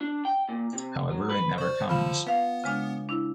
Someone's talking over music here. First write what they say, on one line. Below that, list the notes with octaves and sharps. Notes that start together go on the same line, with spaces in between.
However, it never comes.
D4
G5
A#2
C3
F#3
B4
C5 D5 C#6
D3 F3 F4 F5 A5 B5
B3 B4 F5
C#3 G#3 D4
D4 E4